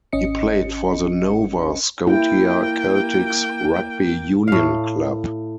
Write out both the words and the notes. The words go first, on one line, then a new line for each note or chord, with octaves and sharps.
He played for the Nova Scotia Keltics rugby union club.
G#1 C#4 D#5 C#7
A#3 E4 G5
A2 F5